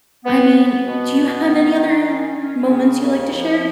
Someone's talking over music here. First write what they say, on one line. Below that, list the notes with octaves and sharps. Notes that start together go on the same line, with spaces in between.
I mean, do you have any other moments you'd like to share?
B3
B3
B2
B3
D#3
D#3
C#4
C#4
C#3
D#2
F3